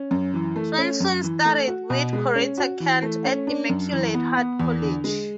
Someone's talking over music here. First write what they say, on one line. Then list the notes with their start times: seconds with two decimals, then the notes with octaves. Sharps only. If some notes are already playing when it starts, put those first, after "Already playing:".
Swanson studied with Corita Kent at Immaculate Heart College.
Already playing: C#4
0.11 F#2
0.34 E3
0.56 A3
0.78 C#4
1.00 F#2
1.23 E3
1.45 A3
1.68 F#4
1.90 B2
2.13 G#3
2.35 C#4
2.58 F#4
2.80 E3
3.02 A3
3.25 C#4
3.47 D4
3.70 F#2
3.93 E3
4.14 B3
4.37 B3
4.60 E2
4.82 D3
5.04 G#3